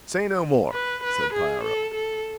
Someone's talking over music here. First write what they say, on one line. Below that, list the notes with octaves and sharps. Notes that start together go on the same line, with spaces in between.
"Say no more!" said Piero.
B4
B4
G#4
A4
A4